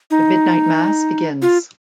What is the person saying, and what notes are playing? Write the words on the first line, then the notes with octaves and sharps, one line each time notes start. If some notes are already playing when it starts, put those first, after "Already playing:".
The midnight mass begins.
D#4
F4